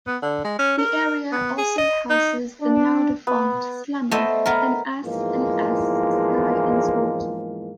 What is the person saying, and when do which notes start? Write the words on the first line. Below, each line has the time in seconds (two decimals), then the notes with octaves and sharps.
The area also houses the now defunct "Slammer", an S and S Sky Swat.
0.07 B3
0.22 D3
0.45 G#3
0.59 C#4
0.79 A#4
1.32 B3
1.58 G#4
1.78 D#5
2.10 D#4
2.61 D4
3.27 B3
4.11 A3 B3 C5 D#5 E5
4.46 B3 A#4
5.04 E2 G#2 E3 F3 G#3 A#3